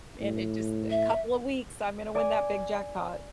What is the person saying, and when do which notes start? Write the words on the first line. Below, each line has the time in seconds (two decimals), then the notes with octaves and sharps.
and in just a couple of weeks, I'm gonna win that big jackpot."
0.20 A2
0.91 E5
2.15 D5 G#5